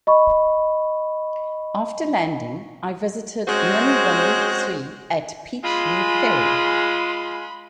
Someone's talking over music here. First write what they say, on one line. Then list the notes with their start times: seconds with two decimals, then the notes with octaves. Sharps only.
After landing, I visited Min Vin-sui at Peach Leave Ferry.
0.07 D#5 B5 C#6
3.48 G#3 C4 C#4 F#4 G#4 C5
5.64 G#3 F4 B5 C6